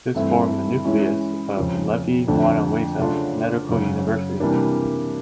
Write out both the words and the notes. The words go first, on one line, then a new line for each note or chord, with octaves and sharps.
This formed the nucleus of Levy Mwanawasa Medical University.
G2 E3 A3 C4 E4
E3 G#3 C#4 E4
F2 C#3 F3
F2 D3 F3 A3 D4
C#3 F#3 A3 D4 F4
F#2 C#3 F#3
C3 E3 G3 A#3 D4